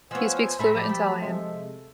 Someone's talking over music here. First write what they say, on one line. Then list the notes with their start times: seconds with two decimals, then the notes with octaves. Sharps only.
He speaks fluent Italian.
0.11 F3 B3 C5 C#5 F5 G#5 E6
0.59 A2 G#4 A4 E5 A#5 B5
0.75 F3 G4 A5
0.89 A3
1.22 C3 G#3 E5